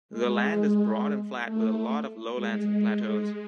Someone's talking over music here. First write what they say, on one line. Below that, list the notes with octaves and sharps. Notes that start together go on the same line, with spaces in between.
The land is broad and flat with a lot of lowlands and plateaus.
G#3
A3
G#3